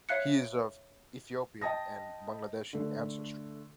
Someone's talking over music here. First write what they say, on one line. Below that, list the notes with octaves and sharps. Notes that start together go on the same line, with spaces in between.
He is of Ethiopian and Bangladeshi ancestry.
C#5 E5 F5 F#6 C#7
D#5 G5 A5 D#6 A#6
D3 A3